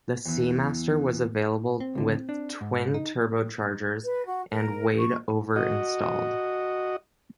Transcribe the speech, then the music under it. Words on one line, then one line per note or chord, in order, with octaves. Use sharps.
The Seamaster was available with twin turbochargers, and weighed over installed.
E2 E3
C4
C#2 D3
D4
G#2
D#4
B4
F#4
A#4
C#6
F#4 D#5